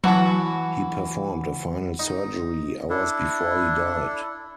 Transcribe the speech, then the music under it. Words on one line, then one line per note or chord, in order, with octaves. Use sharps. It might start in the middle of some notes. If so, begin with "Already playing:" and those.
He performed a final surgery hours before he died.
E3 F#3 E4 F#4 A5
D#4
D4 E4 A4